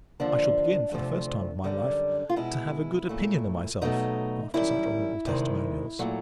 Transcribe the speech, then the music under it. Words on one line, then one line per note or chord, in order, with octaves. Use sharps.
I shall begin, for the first time of my life, to have a good opinion of myself, after such honourable testimonials.
D#2 D3 F3 D4
D2 C3 F3 A3
F#2 D3 G3
F4
B2 G#3 E4
A#2 F#3 A3
B2 F#3 A3 D#4
F#2 D#3 G3 E4
D2 C3 D#3 G#3
A#2 F#3 A3